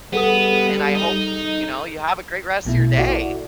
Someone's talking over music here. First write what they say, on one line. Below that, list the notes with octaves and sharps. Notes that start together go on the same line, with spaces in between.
and I hope, you know, you have a great rest of your day.
G3 B3 G#4 A4 D#6
D#4
A#1 B2 A3 E4
E4 F#4 A4 D5